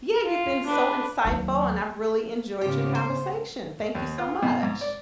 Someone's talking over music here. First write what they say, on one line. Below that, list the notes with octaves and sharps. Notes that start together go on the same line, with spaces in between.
Yeah, you've been so insightful, and I've really enjoyed your conversation. Thank you so much.
F4
D4 B4
D#2 F#3
G#2 C#3 F3 B3 G4
C5
D#2
F4
B2
G#2
D5